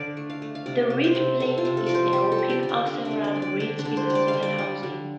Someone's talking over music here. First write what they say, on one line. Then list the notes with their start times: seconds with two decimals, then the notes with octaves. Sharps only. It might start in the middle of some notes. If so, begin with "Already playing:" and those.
The reed plate is a grouping of several reeds in a single housing.
Already playing: D3 D5 F5
0.17 A3
0.30 F5
0.42 A3
0.55 F5
0.66 C3 D5
0.90 C3
1.04 C5
1.15 C3
1.40 C3 A4
1.58 F4
1.65 C3
1.77 A4
1.86 F3 D5
1.95 C5
2.13 G3 G4
2.32 A4
2.38 G3
2.50 G4
2.63 D3
2.69 D4
2.86 D3 C4
3.05 D4
3.11 D3
3.24 D5
3.35 D3
3.42 D5
3.60 D3
3.79 D4
3.85 D3
3.97 C5
4.10 G3
4.15 D5
4.28 F5
4.33 D3
4.42 D5
4.58 G3
4.83 D3